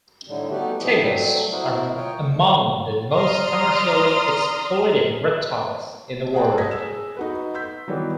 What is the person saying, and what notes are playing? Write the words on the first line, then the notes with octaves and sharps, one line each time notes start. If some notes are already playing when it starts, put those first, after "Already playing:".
Tegus are among the most commercially exploited reptiles in the world.
A2 D3 D#3 G3
G3 A3 B3 D#4 F#4 G4
B2 E3 F3 E4 G4 D#5
F#3 G3 A3 C4
E4 F#4 A#4 C5 D#5
F4 A#4 C#5 D#5 G5
D5 A#5 C6 D#6 F6
G#4 C#5 F#5 G5 A5 A#5
D#6 G#6 A#6 B6
G#4 E6 E7
D#4 F#4 B4
C6 E6 G6 B6
D#3 E3 F#3 G3 B3 D#4